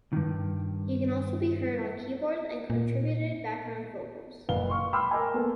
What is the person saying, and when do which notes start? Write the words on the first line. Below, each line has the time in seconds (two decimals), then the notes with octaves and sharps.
He can also be heard on keyboards and contributed background vocals.
0.13 G2 D#3
2.70 A#2
4.49 F#1 B4 F5 G7
4.69 C6 C#6 F6
4.93 G5 B5 C6 D6 E6 F6
5.11 A#4 D#5 G#5
5.34 A#3 B3 A4 B4